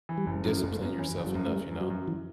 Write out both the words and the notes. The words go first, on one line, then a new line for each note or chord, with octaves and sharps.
discipline yourself enough, you know?
E3
G3
F#1
F#2 F#3
F#3
F#1
A3
F#2 B3
E3 C#4
F#1
F#3
F#2
A3
F#2 G3
F#2
F#3
F#2
E3